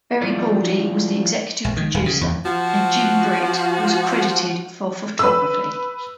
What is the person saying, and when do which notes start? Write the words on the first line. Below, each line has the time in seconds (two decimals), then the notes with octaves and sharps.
Berry Gordy was the executive producer and Jim Britt was credited for photography.
0.22 F3 G3 E4 F4 A#4 D5
1.64 A#1
1.77 D#3
1.94 D#1
2.06 C#3
2.21 E2
2.44 F3 F#4
5.19 B4 E6